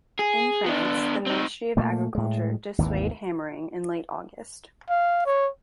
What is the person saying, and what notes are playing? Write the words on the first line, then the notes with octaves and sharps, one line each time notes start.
In France, the ministry of agriculture dissuade hammering in late august.
G#4
B3 D4
C4 D#4
A#2 A3 A#3
A2 G#3
G#1 D#2 D#3 E3
F5
C#5